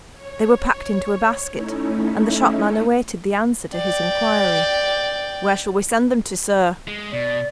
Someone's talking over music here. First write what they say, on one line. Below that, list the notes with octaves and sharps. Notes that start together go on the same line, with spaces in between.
They were packed into a basket, and the shopman awaited the answer to his inquiry, 'Where shall we send them to, sir?'
C#5
C#5
A3 C#4 D#4 E4
D5 G5
G#3
B2 D5